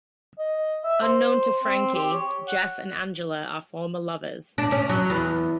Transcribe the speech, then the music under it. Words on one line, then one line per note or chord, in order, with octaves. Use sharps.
Unknown to Frankie, Jeff and Angela are former lovers.
D#5
E5
C5
C4
G4
C#5
F#5
D4
C#4
F#3
E2